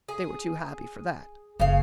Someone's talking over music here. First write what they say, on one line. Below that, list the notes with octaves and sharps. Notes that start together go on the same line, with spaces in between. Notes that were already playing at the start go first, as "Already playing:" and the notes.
They were too happy for that.
G#4
F#1 C#3 F5